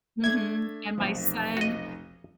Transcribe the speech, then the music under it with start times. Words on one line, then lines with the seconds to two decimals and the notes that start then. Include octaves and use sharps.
Mhm, and my son
0.24 A3 D4 E5 G#6
0.98 F1 B1 F3
1.57 F#4 D#5